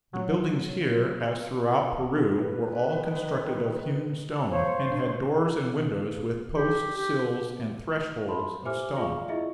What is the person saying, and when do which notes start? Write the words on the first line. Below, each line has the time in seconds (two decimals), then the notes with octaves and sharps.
The buildings here, as throughout Peru, were all constructed of hewn stone, and had doors and windows with posts, sills, and thresholds of stone.
0.13 F#3
2.39 B4
2.86 D#3
4.50 C5 C#5 F5
4.90 D4
6.55 G4
6.97 G4
8.28 A5 B5 C6
8.65 G4 C5 E5 G#5 D6 F6
8.97 F4 G#4 D5 F5 C#6
9.28 E4 F4 G#4 D#5 E5